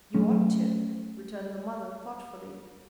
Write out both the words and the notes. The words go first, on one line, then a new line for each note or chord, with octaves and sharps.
"You ought to," returned the mother, thoughtfully.
F#3 A3 C#4